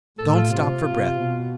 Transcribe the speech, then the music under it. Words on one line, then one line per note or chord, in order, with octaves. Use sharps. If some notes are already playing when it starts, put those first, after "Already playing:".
Don’t stop for breath.
A2 A4
F4
C3 F4
C3
B2